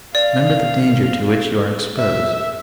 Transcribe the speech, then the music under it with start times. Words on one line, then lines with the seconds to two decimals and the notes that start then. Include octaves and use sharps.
Remember the danger to which you are exposed.
0.15 D5 F5
1.98 E5